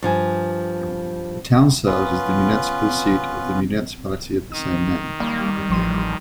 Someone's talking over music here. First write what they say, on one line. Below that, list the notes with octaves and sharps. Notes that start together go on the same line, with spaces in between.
The town serves as the municipal seat of the municipality of the same name.
G2 F3 G#5
B3 C#4 F4 B4
D#3 D#6
G3 A#3
A1 F3 C6 D#7